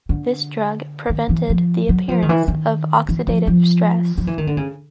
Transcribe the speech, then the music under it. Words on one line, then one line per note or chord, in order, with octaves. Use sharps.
This drug prevented the appearance of oxidative stress.
D3
D#3
E3
F3
F#3
F3
D#3
E3
D#3
E3
F3
F3
F3
E3
D#3
D3
C#3